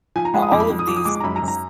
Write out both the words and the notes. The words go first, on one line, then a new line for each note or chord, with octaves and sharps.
a all of these these
F3 G#5
A#5
G#3 B5
D#6
F2 D6
B5
F2
D#6
F3 D6
D#6
G#3 D6
D6
A#5
F#2 B5
A#5
F#2
A#5